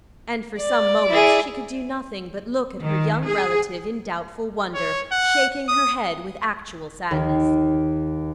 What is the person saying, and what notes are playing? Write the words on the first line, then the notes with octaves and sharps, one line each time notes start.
And for some moments she could do nothing but look at her young relative in doubtful wonder, shaking her head with actual sadness.
D5
E4 G#4
D#3
G#4
C#5
F#5
D#6
D#2